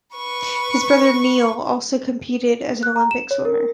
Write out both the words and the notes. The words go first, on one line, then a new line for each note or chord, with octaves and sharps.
His brother Neil also competed as an Olympic swimmer.
B4 C#6
F#6
A#5
E7
C#5
A#4